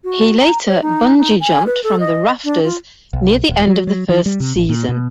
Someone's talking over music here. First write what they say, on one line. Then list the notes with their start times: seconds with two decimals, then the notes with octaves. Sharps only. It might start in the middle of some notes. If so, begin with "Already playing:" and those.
He later bungee-jumped from the rafters near the end of the first season.
0.04 F#4
0.40 A#5
0.68 C#5
0.82 D#4
1.18 D#4
1.40 G#5
1.66 B4
1.84 A4
2.00 D#5
2.44 D4
2.64 F4
3.13 B1
3.49 D#1
3.67 F#3
3.87 F#3
4.09 E3
4.26 G3
4.40 C3
4.56 A1
4.69 A#2
4.89 B2